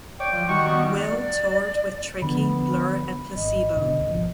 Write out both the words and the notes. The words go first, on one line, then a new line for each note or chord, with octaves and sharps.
Whale toured with Tricky, Blur and Placebo.
C#5 D5 G5
F3
D#3 G3 F#4 C#6
B3
D5
D3 F3 B3 B5
G#1 D#5
C#2 B2 D3
G#1 D#3 F3